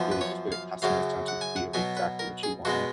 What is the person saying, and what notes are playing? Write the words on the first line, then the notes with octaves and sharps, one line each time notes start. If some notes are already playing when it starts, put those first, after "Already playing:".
really just get it customized down to the T of exactly what you want.
Already playing: F#2 F3 B3
B4
C#5
F5
F#2 C#3 F#3 F5
F#5
G#5
F#5
B2 F#3 B3 G#5
B4
A#4
G#4
B2 G#3 B3 F#4